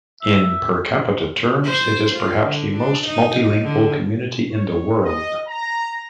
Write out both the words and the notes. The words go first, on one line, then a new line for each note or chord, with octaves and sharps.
In per capita terms, it is perhaps the most multilingual community in the world.
E5
C5
F4
D3
D4
D#4
D3
C#5
D#5
A#5